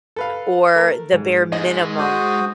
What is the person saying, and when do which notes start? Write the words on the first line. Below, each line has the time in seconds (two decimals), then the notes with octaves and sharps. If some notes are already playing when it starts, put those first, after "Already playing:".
or the bare minimum.
0.16 A4 B4 F5
0.75 A3 A#4
1.13 G#2
1.52 G#2 G#3 D#5
1.98 F#4 C5 D#6